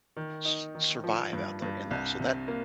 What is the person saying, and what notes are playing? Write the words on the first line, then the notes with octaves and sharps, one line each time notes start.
s survive out there in that?" So that,
D#3
D#4
D#3
F3
G2
G2
C2
C3
A#3